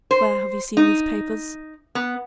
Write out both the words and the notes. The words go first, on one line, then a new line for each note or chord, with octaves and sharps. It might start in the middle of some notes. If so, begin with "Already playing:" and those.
"Where have you seen these papers?"
C5
D#4
B3